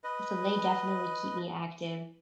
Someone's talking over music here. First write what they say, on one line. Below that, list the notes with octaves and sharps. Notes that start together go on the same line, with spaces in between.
so they definitely keep me active,
B4 D#5